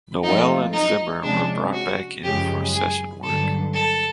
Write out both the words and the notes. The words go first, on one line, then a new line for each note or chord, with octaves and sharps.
Noelle and Zimmer were brought back in for session work.
G#2 F3 A3 C4 D#4 F4
D#4
C3 F3 G#3 C#4 D4
F#4
F#2 C#3 F3 G#3 G4
G#4
G2 D3 F#3 A4
A4